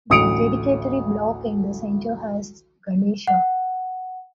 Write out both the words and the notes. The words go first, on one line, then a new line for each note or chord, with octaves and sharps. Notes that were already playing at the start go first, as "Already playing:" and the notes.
The dedicatory block in the centre has Ganesha.
A1 D2 D#6 C#7 D7 F7
F#5